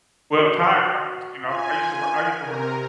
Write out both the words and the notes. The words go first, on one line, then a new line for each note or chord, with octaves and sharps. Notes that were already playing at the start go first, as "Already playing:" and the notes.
Well, tire companies, you know I used to work I used to work
B2
F#4
F4 G#5
C3 A#4